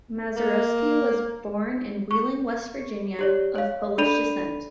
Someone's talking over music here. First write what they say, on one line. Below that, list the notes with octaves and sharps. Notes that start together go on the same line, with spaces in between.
Mazeroski was born in Wheeling, West Virginia, of Polish descent.
A#3
C#6
G4 C#5 D5
C#5 F5
D4 A4 D5 B5 D#7 F7